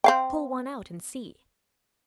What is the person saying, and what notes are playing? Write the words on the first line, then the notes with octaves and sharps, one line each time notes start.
"Pull one out and see!"
C4 F5 G5